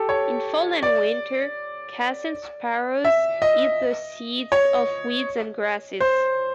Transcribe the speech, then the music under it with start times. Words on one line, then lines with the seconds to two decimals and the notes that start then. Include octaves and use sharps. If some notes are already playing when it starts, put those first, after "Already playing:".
In fall and winter, Cassin's sparrows eat the seeds of weeds and grasses.
Already playing: G4 A4
0.09 C#5
0.83 D5
3.04 E5
3.42 D#5
4.52 C#5
6.00 C5